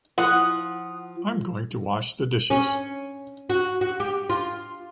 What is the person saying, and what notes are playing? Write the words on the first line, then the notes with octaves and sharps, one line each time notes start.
I’m going to wash the dishes.
F3 F#5 D#6
C#4
F#4
F#4
G4
F4